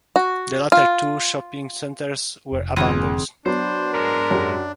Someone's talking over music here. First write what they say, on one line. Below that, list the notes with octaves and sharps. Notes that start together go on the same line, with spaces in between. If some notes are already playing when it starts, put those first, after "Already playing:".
The latter two shopping centres were abandoned.
F#4
F4
F1
C#2 G#2 D3 E3 C4 G#4 D#6
F#3 B3 D4 C5
G#2 G#3 A#4
F#2 G4